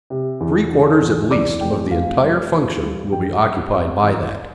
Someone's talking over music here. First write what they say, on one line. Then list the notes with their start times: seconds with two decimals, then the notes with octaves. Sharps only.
Three-quarters at least of the entire function will be occupied by that.
0.10 C3
0.40 E2
0.71 D3
1.01 E2
1.31 E2 D5 D6
1.61 F1 G5
1.91 F1 F5
2.22 G3
2.52 E3
2.82 G3
3.12 F2 G5
3.42 G3
3.72 C4
4.03 E2